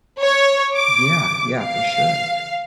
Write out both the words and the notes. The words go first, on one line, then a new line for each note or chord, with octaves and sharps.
Yeah, yeah, for sure.
C#5
D6
F5